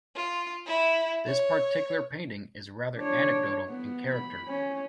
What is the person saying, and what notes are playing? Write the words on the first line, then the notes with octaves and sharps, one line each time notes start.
This particular painting is rather anecdotal in character.
F4
E4
C#5
D4 C#5
B3
B5
C#4